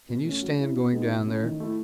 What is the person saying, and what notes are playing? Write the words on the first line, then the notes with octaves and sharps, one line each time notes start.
Can you stand going down there?
B2
A3 C#4
F#3
C#4 E4
B2
G#3 B3 D#4
B2
A3 C#4 E4
D#3
A3 E4